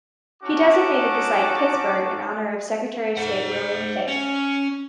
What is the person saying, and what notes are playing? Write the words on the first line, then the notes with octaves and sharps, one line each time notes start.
He designated the site "Pittsburgh" in honor of Secretary of State William Pitt.
C#4 D#4 F#4 A5 D6
C5 F#5
C#4